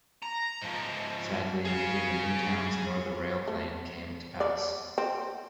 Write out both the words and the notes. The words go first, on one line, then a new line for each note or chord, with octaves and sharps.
Sadly, neither the new towns nor the Railplane came to pass.
A#5
G#2 F3
G#4 F5
A3
D5
C4